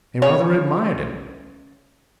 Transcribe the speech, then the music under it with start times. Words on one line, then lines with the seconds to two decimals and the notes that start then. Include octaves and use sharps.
They rather admired him.
0.22 C#3 C#5